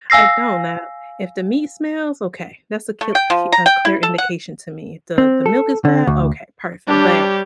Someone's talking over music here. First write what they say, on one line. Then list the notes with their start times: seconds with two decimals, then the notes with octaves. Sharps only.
I don't now, if the meat smells? Okay, that's a c cl a clear indication to me. The the milk is bad? Okay, perfect, but
0.10 F5 G#5 E6 A#6 C7
3.01 A3
3.15 G5
3.30 F3
3.52 A#5
3.66 G5
3.85 E4
4.03 A4
4.18 F#5
5.18 C4
5.46 A4
5.85 D3
6.07 D2
6.88 G3 D4 G4 C#5